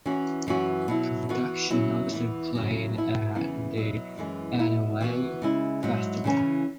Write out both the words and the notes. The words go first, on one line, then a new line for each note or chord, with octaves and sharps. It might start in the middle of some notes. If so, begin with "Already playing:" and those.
The production also played at the Adelaide Festival.
E3 C#4 F#4
F#2 E3 C#4 F#4
B2 F#3 E4
E3 B3 F#4
C#3 F#3 E4
E2 E3 B3 E4
C#3 F#3 E4
B2 B3 E4
E2 C#3 E3 B3 E4
B2 F#3 E4
F#2 E3 G#3
B2 B3 E4
E3 B3 F#4
C#3 G#3 E4
G#2 F#3 E4
C#3 E3 C#4